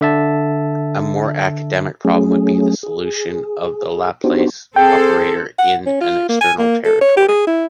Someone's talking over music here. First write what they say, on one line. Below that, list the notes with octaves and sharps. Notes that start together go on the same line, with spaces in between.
A more academic problem would be the solution of the Laplace operator in an external territory.
D3 E5 A5
F#3 A3 C#4 G#4
G#4
B3 D4 D#4 F#4 G4 C5
C4 G#4 A4 C5 G5
F#5
C#4
F4
A#3
G#5
A#3
A4
C#5
G4
G#4
E4